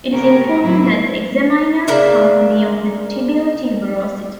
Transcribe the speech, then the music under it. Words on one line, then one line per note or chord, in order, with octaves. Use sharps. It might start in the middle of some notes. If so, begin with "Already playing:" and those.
It is important that the examiner's thumb be on the tibial tuberosity.
C#3 A3 B3 G4 A#4 C#5
A2 E3 F#3 C4 E4
C#3 A#3 D4 E5